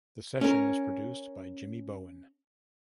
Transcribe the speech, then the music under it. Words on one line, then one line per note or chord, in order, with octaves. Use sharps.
The session was produced by Jimmy Bowen.
C#4 A#4